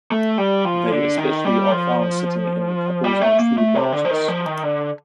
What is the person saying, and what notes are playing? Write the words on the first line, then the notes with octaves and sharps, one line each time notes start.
They especially are found sitting in couples on tree branches.
A3
G3
F3
D3
D#3
G3
F3
G3
A3
A#3
A3
C3
D3
F3
D#3
F3
D#3
D3